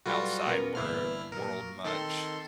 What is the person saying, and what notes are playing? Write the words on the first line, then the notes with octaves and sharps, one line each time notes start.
outside wer world much,
F#3 G3 F4 F#4 A4 B4
B3 C#4 A#4
G1 E3 A#3 B3 E4 F6
A#2 F#3 A#4
D#3 C4 A4 C6